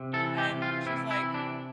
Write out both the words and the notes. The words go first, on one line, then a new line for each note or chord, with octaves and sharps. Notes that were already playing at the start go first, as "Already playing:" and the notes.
and she's like,
Already playing: C3
E3 A4
G4
C3
F4
C3 E4
E4
E3
D4